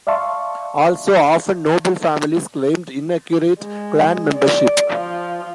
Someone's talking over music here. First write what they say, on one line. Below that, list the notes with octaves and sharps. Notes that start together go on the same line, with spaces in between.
Also often noble families claimed inaccurate clan membership.
D5 E5 F5 A5 C6 C#6
G#3
D5
F3